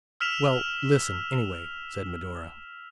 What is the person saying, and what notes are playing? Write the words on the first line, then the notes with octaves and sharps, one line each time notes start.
"Well, listen, anyway," said Medora.
E6 F6 B6 E7 F7